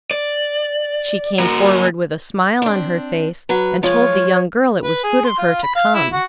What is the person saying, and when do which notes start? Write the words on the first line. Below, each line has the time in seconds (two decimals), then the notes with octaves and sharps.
She came forward with a smile on her face, and told the young girl it was good of her to come.
0.11 D5
1.39 A#3 F#4
2.62 C4 D4
3.49 F#3 B4
3.83 F3 G#3 F4 C#5
4.83 B4
5.04 G#4
5.25 C6
5.38 F4
5.63 B5
5.75 F5
5.95 E4
6.13 F#4